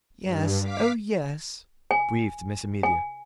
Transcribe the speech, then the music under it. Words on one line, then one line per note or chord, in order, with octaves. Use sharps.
"Yes,--oh, yes!" breathed Miss Amelia.
G2
F5 D6 B6
G#5
G#5